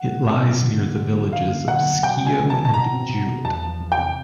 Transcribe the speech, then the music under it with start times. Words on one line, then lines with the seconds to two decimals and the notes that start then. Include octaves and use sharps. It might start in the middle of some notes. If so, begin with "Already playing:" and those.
It lies near the villages of Scio and Jewett.
Already playing: F#5
0.09 A3
0.26 C#3
0.44 F#3
0.62 D3
0.79 A#3
0.97 D3
1.15 F#3
1.33 D3 F5
1.50 A#3
1.67 D3 F#5
1.86 F#3
2.03 B2 G5
2.21 C4
2.26 G#5
2.39 B2
2.50 A5
2.57 G#3
2.65 A5
2.74 B2 A#5
2.92 C4
3.09 B2
3.26 G#3
3.45 E2 A5
3.63 F3
3.80 E2
3.92 G5
3.97 C3